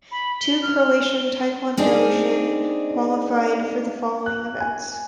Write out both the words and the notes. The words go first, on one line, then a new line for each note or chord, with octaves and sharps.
Two Croatian taekwondo jin qualified for the following events.
B5
G7
F6
F6
G7
C4 D4 D#4 G#4
F#6
G#5